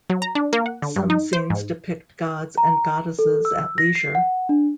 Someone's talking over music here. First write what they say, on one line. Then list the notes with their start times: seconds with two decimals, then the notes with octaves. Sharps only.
Some scenes depict gods and goddesses at leisure.
0.10 F#3
0.22 A#5
0.35 D4
0.53 A#3
0.66 F#5
0.82 D3
0.96 G2
1.10 D#4
1.33 C5
1.50 G#2
2.58 A#5
3.19 A4
3.45 E6
3.78 A#6
3.95 C7
4.15 F#5
4.49 D4